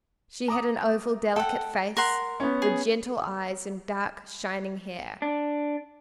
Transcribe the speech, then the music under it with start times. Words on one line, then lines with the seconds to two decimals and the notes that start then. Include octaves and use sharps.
She had an oval, delicate face, with gentle eyes and dark, shining hair.
0.48 A#5 D6 D#6
1.36 A4 F#5 G5
1.97 A#4 F#5 C6
2.40 B3 C#4
2.62 G#4
5.22 D4